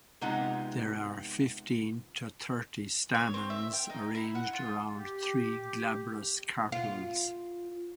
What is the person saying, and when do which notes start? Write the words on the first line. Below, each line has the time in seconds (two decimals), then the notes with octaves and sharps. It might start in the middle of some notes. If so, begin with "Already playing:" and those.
There are fifteen to thirty stamens arranged around three glabrous carpels.
0.21 C3 G#3 B3 D#4 F4 F#5
3.14 C#5
3.34 C4
3.50 E5
3.73 G5
3.90 D#4
4.15 E4
4.35 F#5
4.53 F4
4.97 G4
6.72 F4